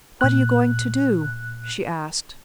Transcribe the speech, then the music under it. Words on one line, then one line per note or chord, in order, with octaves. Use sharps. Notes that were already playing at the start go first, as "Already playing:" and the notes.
"What are you going to do?" she asked.
A#2 F#6